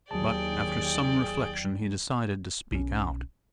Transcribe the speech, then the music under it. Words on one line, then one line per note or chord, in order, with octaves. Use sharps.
But, after some reflection, he decided to speak out.
D#2 F#3 G#4 D5 G5 A5
B1 C#4